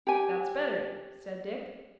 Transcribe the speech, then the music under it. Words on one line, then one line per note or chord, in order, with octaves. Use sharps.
"That's better," said Dick.
G4 G#5